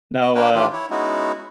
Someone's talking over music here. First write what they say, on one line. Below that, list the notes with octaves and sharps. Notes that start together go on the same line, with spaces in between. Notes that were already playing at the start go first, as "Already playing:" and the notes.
No, uh,
D#5
A#3 D4 A#4 B4 C#5 G5
D#3 E3 D4 F4 G4
E4 C#5
G#3 B3 C#4 D#4 E4 F#4